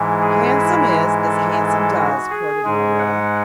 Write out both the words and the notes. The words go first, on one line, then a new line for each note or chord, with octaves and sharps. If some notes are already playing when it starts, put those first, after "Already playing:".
"Handsome is as handsome does," quoted Marilla.
Already playing: G#2 E3 G#3
G#4
E4
A4
A4
F#4
G#4
G#2 G#3 G#4
F#5